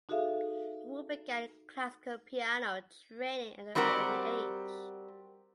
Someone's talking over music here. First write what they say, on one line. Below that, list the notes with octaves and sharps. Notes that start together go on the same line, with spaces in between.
Wu began classical piano training at an early age.
D#4 F#4 G#4 A4 E5 F5
G3 C4 F#4 G4 A#4